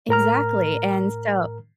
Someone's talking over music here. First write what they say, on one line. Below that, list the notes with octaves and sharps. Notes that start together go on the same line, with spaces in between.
Exactly. And so
A2 A#4 A#5 F6